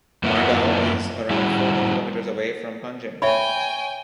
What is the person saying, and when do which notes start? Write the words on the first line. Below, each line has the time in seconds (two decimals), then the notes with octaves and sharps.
Margao is around forty kilometres away from Panjim.
0.23 F#2 A#3 B3 E4 F4 F#5
1.30 G3 E4 F#4 G#4
3.22 C#5 E5 G5 G#5 B5